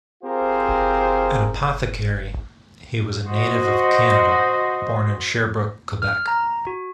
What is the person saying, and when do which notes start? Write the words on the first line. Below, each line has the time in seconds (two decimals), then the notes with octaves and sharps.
An apothecary, he was a native of Canada born in Sherbrooke, Quebec.
0.23 C4 F4 G4 G#4 A#4 C5
3.27 F#4 C5 D#5
6.02 F6
6.28 A#5
6.67 F#4